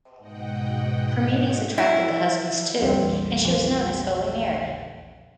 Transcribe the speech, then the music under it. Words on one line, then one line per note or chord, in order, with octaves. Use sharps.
Her meetings attracted the husbands too and she was known as "Holy Mary".
G#2 B2 D#5 F#5 G5
E4
A#1 E2 G3 C4
F3